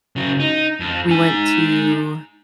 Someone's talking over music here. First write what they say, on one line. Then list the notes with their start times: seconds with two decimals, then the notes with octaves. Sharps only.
we went to,
0.16 C#3 F#3
0.40 D#4
0.80 F2
1.10 D#4 G#5